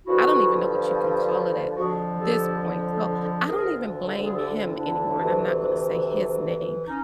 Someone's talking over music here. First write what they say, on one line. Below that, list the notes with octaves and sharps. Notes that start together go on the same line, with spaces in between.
I don't even know what you can call it at this point, so I don't even blame him anymore, and I'm not gonna say his name;
G2 D3 F3 E4 F#4
F2 D3 F3 F#4 G#4
G4 A4
D2 D3 F3 G#4 A#4
G#4
G4 A4
D4 E4
D2 C3 E3
C#4 D#4